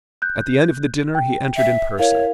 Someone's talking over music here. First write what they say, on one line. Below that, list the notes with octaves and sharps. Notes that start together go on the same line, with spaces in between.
At the end of the dinner he entered in person.
F#6 G6
G5
E5
E4 A#4 C#5 F5